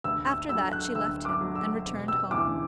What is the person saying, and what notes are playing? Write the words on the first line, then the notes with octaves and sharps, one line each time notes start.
After that she left him, and returned home.
D2 E6
E6
D3 F#3 E6
F#6
D2 E6
D6
D3 F#3
E6
E1
E6
D2 C#3 E3 D6